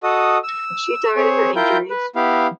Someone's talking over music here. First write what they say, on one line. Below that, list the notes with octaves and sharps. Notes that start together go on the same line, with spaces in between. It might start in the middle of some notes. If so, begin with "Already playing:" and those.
She died of her injuries.
F#4 A4 D#5 D#6
E6
C4 G#4 C#5
E4 F4 A#4 G5 G6
B4
B3 E4 G4 F5